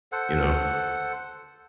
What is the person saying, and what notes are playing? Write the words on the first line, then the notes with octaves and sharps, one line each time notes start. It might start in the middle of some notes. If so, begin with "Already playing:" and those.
you know,
A4 C5 F#5